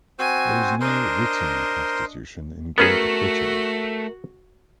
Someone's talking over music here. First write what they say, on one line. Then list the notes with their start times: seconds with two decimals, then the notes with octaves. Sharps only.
There is no written constitution in Great Britain.
0.19 C4 F#4 C5 G#5
0.81 D4 A#4 C5 D#5 C6
2.78 A3 B3 C#4 F#4 G#4 A#4